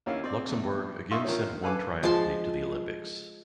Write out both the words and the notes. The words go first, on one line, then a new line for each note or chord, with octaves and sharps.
Luxembourg again sent one triathlete to the Olympics.
D#2 C#4 E4 F5
C4 D5
E2
D#4 E5 F5 C6 C#6
D#3 F3 C#4
A4 B4 F5 G#5 D6
F3 G#3 A5 C6